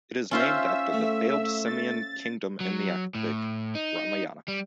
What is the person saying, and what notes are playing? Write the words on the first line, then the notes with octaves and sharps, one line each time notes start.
It is named after the fabled simian kingdom in the epic - Ramayana.
C#4 F4 C5 E5 E6
A3
A6
F#3
A2
D#4
G3